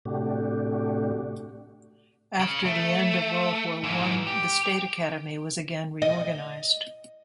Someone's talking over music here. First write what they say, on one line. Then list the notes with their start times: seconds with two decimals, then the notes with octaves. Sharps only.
After the end of World War One, the State Academy was again reorganized.
0.05 A2 C3 A3 D4 F#4 G4
2.39 C#3
2.66 A3
3.84 G#2 E3
4.27 G4
6.02 D#5